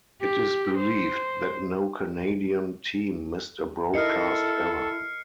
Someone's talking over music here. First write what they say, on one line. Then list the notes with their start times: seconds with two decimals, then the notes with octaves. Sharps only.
It is believed that no Canadian team missed a broadcast ever.
0.22 G4
0.77 C5
3.94 E4 A4 A#4 D#5 F6 C7 C#7